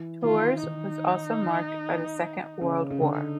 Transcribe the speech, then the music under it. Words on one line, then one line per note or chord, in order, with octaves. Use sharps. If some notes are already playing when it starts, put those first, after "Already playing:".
Tours was also marked by the Second World War.
Already playing: E3
D#3 F4
D#3 D#4
C#3
C#3
D3 D#4